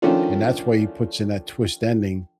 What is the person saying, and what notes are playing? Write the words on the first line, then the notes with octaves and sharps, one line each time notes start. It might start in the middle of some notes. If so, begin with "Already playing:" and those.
and that's why he puts in that twist ending
D#3 F3 A3 C#4 D4 F4